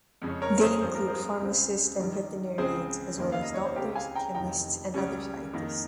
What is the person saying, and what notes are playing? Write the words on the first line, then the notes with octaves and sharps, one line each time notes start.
They include pharmacists and veterinarians, as well as doctors, chemists and other scientists.
F2 C#3 G#3 C#4
A#4 C#5
G#4 C5
G#1 G2 F3 C4 C5
A#4
G#4 C5
C#2 C#3 G#3 C4
G2 D#3 G3
C#2 C#3 G#3 C4 G#4 C5
F1 D#2 D#3 A#3 C#4
F5
D#5
C#5
C5
C#2 C#3 G#3 C4 G4 A#4
F5 G#5
G5 A#5
F1 F2 D#3 G5 A#5
C#2 C#3 G3 C#4
F2 D#3 A#3